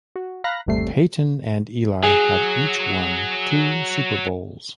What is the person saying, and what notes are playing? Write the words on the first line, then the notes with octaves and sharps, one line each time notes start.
Peyton and Eli have each won two Super Bowls.
F#4
F5 A#5 B5 F#6 A#6
G1 D#2 C3 G3 A3 C7
F#3 G#4